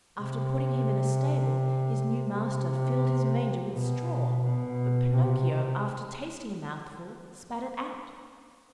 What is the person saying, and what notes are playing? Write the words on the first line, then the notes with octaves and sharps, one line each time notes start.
After putting him in a stable, his new master filled his manger with straw, but Pinocchio, after tasting a mouthful, spat it out.
C3
C3
B2
B2
C3